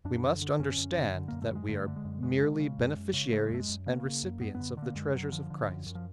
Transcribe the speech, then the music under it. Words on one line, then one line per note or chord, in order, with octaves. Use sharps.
We must understand that we are merely beneficiaries and recipients of the treasures of Christ.
F#2 D4
D3
D3
F#2 C#4
F#2
D3
D3
F#2 A#3
A3
F#2 G3 G#3
D3 A3
D3
G#3
F#2
F#2 G#3
C#3
C#3
F#2
F#2
C#3
C#3 A3
G#3
F#2 A3
G#3
F#2
C#3 A#3
C#3
F#2
F#2 B3
B3
D3
D3
A#3
F#2 G#3
F#2 F#3
D3 F3
D3
F#2
F#2
F3